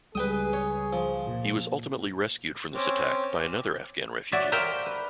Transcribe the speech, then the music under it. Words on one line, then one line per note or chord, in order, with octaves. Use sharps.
He was ultimately rescued from this attack by another Afghan refugee.
C#2 G3 G#3 G#4 B4 G5 D#6
C#5
F3
A#2
C4 C#4 D6
F#4 C#5 D5 E5
A#4 C5 E5 F5 G5 A#5
B4